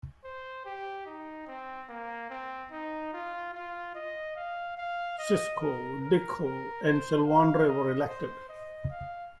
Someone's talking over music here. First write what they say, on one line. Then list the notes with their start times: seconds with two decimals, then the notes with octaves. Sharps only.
Sissoko, Dicko and Silvandre were elected.
0.24 C5
0.65 G4
1.06 D#4
1.47 C4
1.89 A#3
2.30 C4
2.72 D#4
3.13 F4
3.53 F4
3.95 D#5
4.36 F5
4.77 F5
5.18 D#5
5.61 A#4
6.01 A#4
6.43 A#4
6.84 C5
7.26 F5
7.67 D#5
8.08 C5
8.49 D#5
8.90 F5